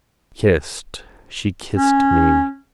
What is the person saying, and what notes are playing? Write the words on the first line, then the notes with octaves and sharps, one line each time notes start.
Kissed, she kissed me.
C#4